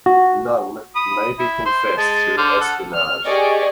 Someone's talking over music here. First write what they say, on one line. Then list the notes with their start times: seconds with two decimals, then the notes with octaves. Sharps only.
Nunn May confessed to espionage.
0.06 F#4
0.96 B5 D#6
1.39 E4
1.66 C5
1.98 G#3 A5
2.37 D3 C5 F6
2.61 A4 F#5
2.95 F6
3.25 G4 G#4 D5 D#5 C#6